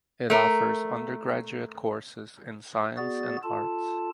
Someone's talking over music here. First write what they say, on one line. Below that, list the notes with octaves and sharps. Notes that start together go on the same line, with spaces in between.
It offers undergraduate courses in science and arts.
A3 A#4
B3 F#4 G#4 D5 A6
F4 A4 A5